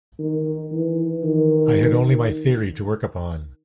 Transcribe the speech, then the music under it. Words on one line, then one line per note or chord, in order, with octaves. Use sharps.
I had only my theory to work upon.
D#3
E3
D#3